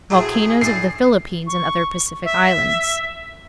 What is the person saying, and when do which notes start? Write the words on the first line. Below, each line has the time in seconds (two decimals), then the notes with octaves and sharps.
Volcanoes of the Philippines and Other Pacific Islands.
0.10 A2 C3 F#3 G#4
0.61 A2 D4 C7
1.47 C#6
2.25 E5